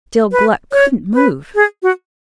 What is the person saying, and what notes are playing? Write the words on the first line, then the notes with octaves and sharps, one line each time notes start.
Still Gluck couldn't move.
B4
C#5
B4
G#4
F#4